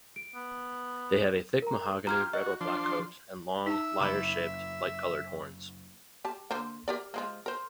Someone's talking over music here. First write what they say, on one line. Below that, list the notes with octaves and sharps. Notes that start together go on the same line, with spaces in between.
They have a thick mahogany red or black coat, and long, lyre-shaped, light-coloured horns.
D7
B3
A#4 A#5
F4 G4 A#5 F6 G#6
F#4 D#5
F3 D4 C6
D#4 E5 A5
F#1 B5 D6
G4 A5
D3 A#3 C5
G4 A#4 D5
F3 G#3 A#3
A#4 C5